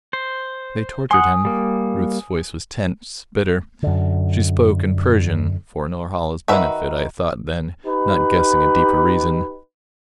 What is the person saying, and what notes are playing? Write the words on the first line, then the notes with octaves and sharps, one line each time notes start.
"They tortured him," Ruth's voice was tense, bitter; she spoke in Persian--for Norhala's benefit I thought then, not guessing a deeper reason.
C5
F#5 G#5 C6 D#6
G3 A#3
F#2 D3
D#3 F#4 B4 E5
D#4 G4 B4